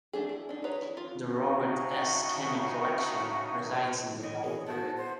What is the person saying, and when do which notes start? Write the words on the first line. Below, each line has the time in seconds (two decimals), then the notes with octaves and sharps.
The Robert S. Kenny Collection resides in the library.
0.13 A3 D4 G#4
0.29 E4
0.49 D4 D#4
0.64 G#4 B4 C#5 A#5
0.82 E4
0.97 F4
1.31 A2 C#3 D#4 F#4
4.23 E3 C#5 D#5
4.43 G#4
4.66 B3 E4 F#4 A5
4.97 C5